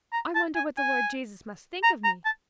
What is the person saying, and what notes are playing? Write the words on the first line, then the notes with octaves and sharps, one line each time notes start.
I wonder what the Lord Jesus must think of me.
A#5
A5
G#5
G#5
A#5
A#5
A5